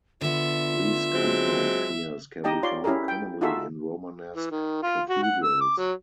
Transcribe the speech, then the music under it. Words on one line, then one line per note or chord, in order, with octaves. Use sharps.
These compound piers can be found commonly in Romanesque cathedrals.
D3 B3 F4 E5
F#3 G#3 C4
D#4 G4 D#5 G5 A5
F4 C#5 D5 C6
C#4 E4 G4 G#4 A#4
G5
D#4 F4 F#4 G#4 A4 E5
E3
D#3
F4
F#4
F#5
E6
D6
F#3